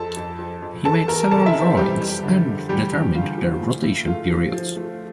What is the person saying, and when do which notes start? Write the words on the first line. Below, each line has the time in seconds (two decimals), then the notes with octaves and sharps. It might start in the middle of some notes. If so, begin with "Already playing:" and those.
He made several drawings and determined their rotation periods.
Already playing: F2 A4 A5
0.17 F2
0.39 F2
0.62 F2
0.85 E2 A4 A5
1.08 E2 A#4 A#5
1.31 C3 A4 A5
1.46 E4 E5
1.54 E3
1.62 C4 C5
1.77 F2 G3 G4
2.00 F2
2.23 D3
2.46 F2
2.69 E2 G3 G4
2.92 E2
3.15 D3 F4
3.38 F3
3.61 A2
3.84 A2
4.07 A3 F4
4.30 F3
4.53 F3
4.76 A3